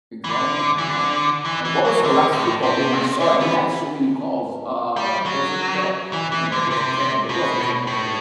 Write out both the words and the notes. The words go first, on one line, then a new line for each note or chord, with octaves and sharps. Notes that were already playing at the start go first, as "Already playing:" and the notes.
Exactly, y y yeah, like, what was the last football game I saw? They had so many calls uh, was it the, ah, I can't remember. Who was it? Tampa Bay? It wasn't Tampa Bay.
E3
D3
E3
D3
E3
E3
F#3
D3
A2
C3
D3
B3
G3
F#3
E3
E3
D3
C3
B2
A2